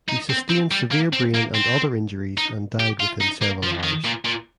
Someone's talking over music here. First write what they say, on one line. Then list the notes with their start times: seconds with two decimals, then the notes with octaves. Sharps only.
He sustained severe brain and other injuries and died within several hours.
0.09 D#4
0.30 C4
0.50 C4
0.71 G3
0.91 A#3
1.13 C4
1.34 A#3
1.54 C4
2.37 D#4
2.80 G4
3.00 F4
3.21 D#4
3.42 A#3
3.64 F3
3.84 D#3
4.05 A#2
4.25 A#2